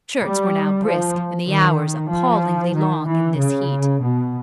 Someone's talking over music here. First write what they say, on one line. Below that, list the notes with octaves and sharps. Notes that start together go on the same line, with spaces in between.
Shirts were now brisk, and the hours appallingly long in this heat.
G3
F3
D#3
F3
D#3
E3
C#3
B2